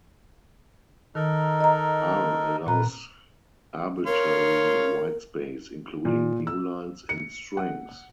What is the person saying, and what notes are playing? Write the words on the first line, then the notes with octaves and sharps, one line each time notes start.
R allows arbitrary whitespace, including newlines, in strings.
D#3 D#4 A4 A#4
D#5 A#5
A#2 F4 B4 A#5
A#4 C#5 F5 C6
A#2
E6
C#7
F#5